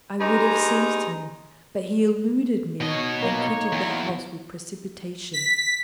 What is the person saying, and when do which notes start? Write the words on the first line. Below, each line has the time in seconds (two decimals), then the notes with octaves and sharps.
I would have seized him, but he eluded me and quitted the house with precipitation.
0.20 G2 G#3 D#4 A#5
2.80 B2 D#4 C#5 D#5
3.22 A#3
3.72 E2
5.33 B6